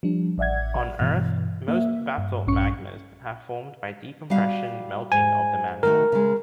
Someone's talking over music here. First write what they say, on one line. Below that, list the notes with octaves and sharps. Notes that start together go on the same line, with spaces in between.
On Earth, most basalt magmas have formed by decompression melting of the mantle.
F3 G3 D4
A1 D5 E5 F#5 G#6
G2 B2 E3
A#3 E5
G2
A#1 G2 C#4 C#6 C#7
G3 F#4 F5
G#2 G#5
D#3 A3 F#4 A#4
C#3 G#3